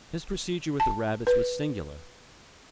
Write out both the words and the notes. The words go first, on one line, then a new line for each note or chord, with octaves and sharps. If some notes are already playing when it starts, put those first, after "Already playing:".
His procedure with the rabbits was singular.
A5
B4